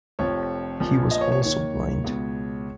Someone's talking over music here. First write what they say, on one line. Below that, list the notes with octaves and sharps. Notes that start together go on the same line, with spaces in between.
He was also blind.
F1 F2 F3 C#5
A#1 A#2 F3
D#5
C#5
C#5
D#2 D#3 C#5
C#2 B2